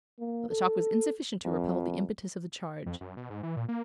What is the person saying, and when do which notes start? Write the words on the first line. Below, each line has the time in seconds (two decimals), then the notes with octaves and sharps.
But the shock was insufficient to repel the impetus of the charge.
0.19 A#3
0.50 A4
1.45 F2
2.86 F2
3.01 F#2
3.17 B2
3.30 G#2
3.43 E3
3.57 A#2
3.69 A#3